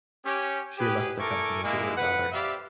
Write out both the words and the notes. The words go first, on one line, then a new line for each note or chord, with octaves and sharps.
She left the company to her daughter.
C#4 G4
G4 G#4 B4
E4 A4 A#4 G#5 C#6 D6
G#3 A#3 E4
B4 F#5
C4 G4 D5 E5 F5 B5